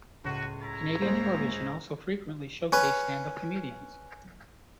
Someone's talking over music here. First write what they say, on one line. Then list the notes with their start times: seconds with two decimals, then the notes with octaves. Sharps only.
Canadian television also frequently showcases stand-up comedians.
0.24 C#2 A2 F#4 D#7
0.61 E4 C#5 A#5 A6
1.02 G#3 A#3 C5
2.72 C#4 B4